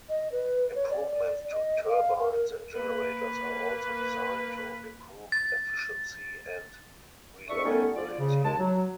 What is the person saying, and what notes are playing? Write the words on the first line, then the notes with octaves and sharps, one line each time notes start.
Improvements to turbines and generators are also designed to improve efficiency and reliability.
D#5
B4
C#5
D5
D#5
F5
A#4
A#4
A#3 B4
A6
E2 D4 E5 C#6
G3 A3 B3 C#4 D#4 A4
F3 D4 F4 D5
C#3
D#2 G#3 A5
F#3